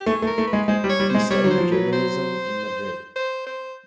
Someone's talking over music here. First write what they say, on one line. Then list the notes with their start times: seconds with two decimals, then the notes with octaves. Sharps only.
He studied journalism in Madrid.
0.01 G4
0.06 A3 G#4
0.22 A3
0.27 A#4
0.38 A3
0.47 B4
0.53 G#3
0.68 G#3 C5
0.84 G3
0.89 C#5
1.00 G3
1.10 G#3 C5
1.30 G3 C#5
1.44 F#3
1.51 C5
1.58 F3
1.72 F#3 B4
1.93 C5
3.16 C5
3.47 C5